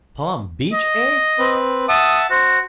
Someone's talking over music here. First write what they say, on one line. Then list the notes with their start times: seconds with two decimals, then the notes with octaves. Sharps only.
"Palm Beach, eh?"
0.73 D#5
1.39 C4 B4
1.89 E5 F#5 A5 D#6
2.30 F#4 C5